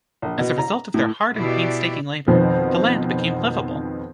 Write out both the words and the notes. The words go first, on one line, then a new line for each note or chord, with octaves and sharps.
As a result of their hard and painstaking labor, the land became livable.
A#1
B2
A#5
A2
B2 E4 G4 D5
F2 B2 D#3 F3 B3 C4